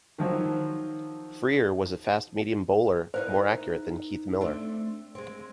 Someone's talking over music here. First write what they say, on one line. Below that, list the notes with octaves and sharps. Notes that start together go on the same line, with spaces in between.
Freer was a fast-medium bowler more accurate than Keith Miller.
D#3 F3 F#3
D#4 E4 A#4 C5
A3 C4 D4
G#3 C4